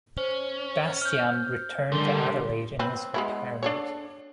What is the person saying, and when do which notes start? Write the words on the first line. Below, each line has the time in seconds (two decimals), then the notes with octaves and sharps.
Bastyan returned to Adelaide in his retirement.
0.17 C#4 C5
1.02 F6 G6
1.92 G#2 D3 G3 A3 A#4 C6 G7
2.79 C4 B4
3.14 G#3 B3 E4
3.63 D4 A4 C#5